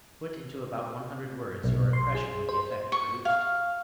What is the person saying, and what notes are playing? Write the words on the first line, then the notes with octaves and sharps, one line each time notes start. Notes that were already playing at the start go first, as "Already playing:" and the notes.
Put into about one hundred words your impression of the effect produced.
B1
C6
G#4
C5
C#6
F5